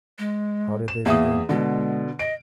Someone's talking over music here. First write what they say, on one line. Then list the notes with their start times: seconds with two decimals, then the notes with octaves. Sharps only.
How did they begin?
0.19 G#3
0.88 E7
1.06 E2 A#3 E5 D#6
1.49 B2 D3 G#3
2.19 D#5 D7